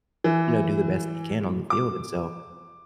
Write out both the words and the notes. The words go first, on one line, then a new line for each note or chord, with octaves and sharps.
you know, do the best they can on the field and so,
E3
D6